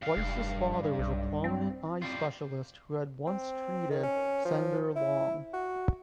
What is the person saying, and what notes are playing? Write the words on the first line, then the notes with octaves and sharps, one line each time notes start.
Weiss's father was a prominent eye specialist who had once treated Senator Long.
G2 F5
F1
B1
C4
G3 F4
C4
D#3
C#4
F3
E4
F#4